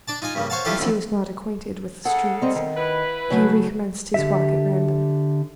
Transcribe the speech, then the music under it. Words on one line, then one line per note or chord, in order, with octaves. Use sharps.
As he was not acquainted with the streets, he recommenced his walk at random.
D4 D5 A5
D#4 F4 D#5 G#5
G2 C#3 A#3
C5 C#5 F5 F#5 A5
A3 E4 F4 G4 A4 F5
A1 F2 D3
C#3 G#4 A4 F#5
G3 C4 D#5
D#3
E4 B4
C#3 F#3 A3
D3 G4 E5